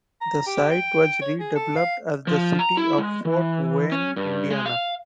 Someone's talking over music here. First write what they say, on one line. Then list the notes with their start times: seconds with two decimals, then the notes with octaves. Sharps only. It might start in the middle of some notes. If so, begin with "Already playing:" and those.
The site was redeveloped as the city of Fort Wayne, Indiana.
0.21 A#5
0.46 G4
0.71 G5
1.22 C#5
1.40 G#4
1.55 A4
1.76 F5
2.27 F3
2.59 A#5
2.77 E4
2.98 G#3
3.25 E3
3.92 C#4
4.16 G2
4.50 G#3
4.66 F5